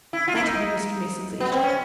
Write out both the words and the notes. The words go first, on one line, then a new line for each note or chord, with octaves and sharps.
That be Mr. Mason's agent.
E4
F4
E4
D#4
B3
C4
C#4